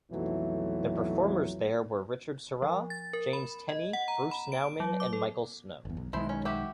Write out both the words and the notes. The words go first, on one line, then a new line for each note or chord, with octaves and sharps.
The performers there were Richard Serra, James Tenney, Bruce Nauman and Michael Snow.
B1 F2 E3 F#3 A3
F3
A6
A#4
B5
D#5
F#5
A#5
B5
D7
F#3
D6
A4
G1 E2
B1
B1 D#3 G#3 E4 C5
C#4
F#4 G4 E5